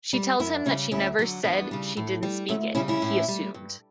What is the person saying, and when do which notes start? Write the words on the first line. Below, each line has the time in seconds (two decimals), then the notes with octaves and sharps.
She tells him that she never said she didn't speak it, he assumed.
0.13 G3
0.40 F#2 C#4 E4
0.66 C#3 G3 C#4 E4
0.91 D2 C#4 E4
1.19 D3 F#3
1.44 E2 B3 D4
1.71 C#3 G3
1.97 A2
2.23 G3
2.49 D2 A3 C#4
2.75 C#3 G3 C#4 E4
2.88 C#4 E4
3.02 A2
3.28 G3
3.54 G2